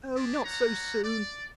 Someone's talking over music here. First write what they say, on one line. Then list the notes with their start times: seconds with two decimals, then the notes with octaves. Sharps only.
'Oh, not so soon!
0.15 D4 G4 G#4 D5 A5
0.44 G3 C#5 F#5 A#5
1.02 D5